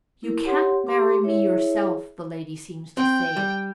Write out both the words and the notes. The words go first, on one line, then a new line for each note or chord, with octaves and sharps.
"You can't marry me yourself," the lady seems to say.
E4 A#4
G4 C#5 F#5 C6
G4 G#4 C6 D6
E4 G#4 C#5 E5
C4 G5
G3